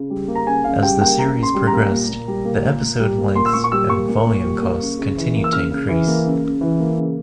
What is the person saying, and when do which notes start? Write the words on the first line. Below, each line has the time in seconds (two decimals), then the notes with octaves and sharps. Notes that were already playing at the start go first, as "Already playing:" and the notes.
As the series progressed, the episode lengths and volume costs continued to increase.
Already playing: C#3
0.10 G3
0.28 A#3
0.35 A#5
0.46 C#3 G#5
0.64 C#3 F5
0.83 G3 G5
1.01 A#3 G5
1.19 C#3 A#5
1.36 C#3
1.43 C6
1.55 G3
1.67 A#5
1.73 A#3
1.91 A#2
2.09 A#2
2.28 G3
2.45 A#3
2.64 A#2
2.82 A#2
2.99 G3
3.18 A#3
3.36 A#2 C6
3.46 E6
3.53 A#2 C#6
3.64 C#6
3.72 G3 E6
3.90 A#3 C#6
4.08 A#2
4.26 A#2
4.44 G3
4.62 A#3
4.80 C#3
4.98 C#3
5.17 E3
5.35 A#3
5.44 E6
5.53 C#3 F6
5.71 C#3
5.89 E3
6.07 A#3
6.25 C#3
6.44 C#3
6.61 E3
6.80 A#3
6.97 C#3